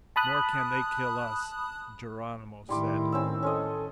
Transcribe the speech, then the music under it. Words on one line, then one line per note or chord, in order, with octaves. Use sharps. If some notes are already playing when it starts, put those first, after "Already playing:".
"Nor can they kill us," Geronimo said.
A5 B5 D#6 F#6
A2 D#3 G3 E4 C6 D6
C4 C#4 E6
C#4 A4 C5 D#5